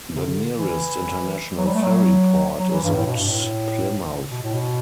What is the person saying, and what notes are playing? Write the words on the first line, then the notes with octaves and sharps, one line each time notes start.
The nearest international ferry port is at Plymouth.
C3
D3
E3
F#3
G3
A3
F#3
F#3
E3
G2
A2
B2
G2
A2
B2
A2
B2